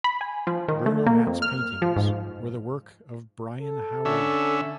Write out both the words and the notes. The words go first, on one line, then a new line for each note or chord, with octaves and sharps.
Bruno Hat's paintings were the work of Brian Howard.
B5
G#5
F3
D#3
A3
A#3
F2
F6
F3
G#2
A4
D3 C#4 E5